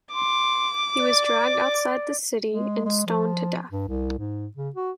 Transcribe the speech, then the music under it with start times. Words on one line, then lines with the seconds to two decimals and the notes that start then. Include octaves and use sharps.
He was dragged outside the city and stoned to death.
0.14 C6 D6
0.99 D5
2.47 G#3
2.85 G#3
3.07 F3
3.72 G2
3.88 C2
4.19 G#2
4.57 C#3
4.76 F#4